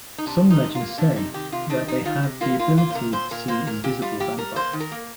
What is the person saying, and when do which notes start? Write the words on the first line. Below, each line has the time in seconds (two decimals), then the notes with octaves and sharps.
Some legends say that they had the ability to see invisible vampires.
0.18 D#4
0.26 C3 D4
0.44 D#3
0.50 D#4
0.63 C3
0.75 F4
0.80 A#3
0.98 C3 D4
1.16 C3 D#4
1.34 D#3 G4
1.52 C3 F4
1.70 D#3 D4
1.87 G3 D#4
2.05 D#3 F4
2.23 C3
2.41 A#3 F4
2.59 A#3 F4
2.77 A#3 F4
2.90 C5
2.95 C3 A#4
3.12 A#2 C5
3.31 A#2 A#4
3.48 A#3 C5
3.67 A#2 A#4
3.84 A#2 G4
4.02 G3 F4
4.20 A#2 G4
4.37 G3 A#4
4.56 A#3 C5
4.73 D#3
4.80 A#4
4.92 A#3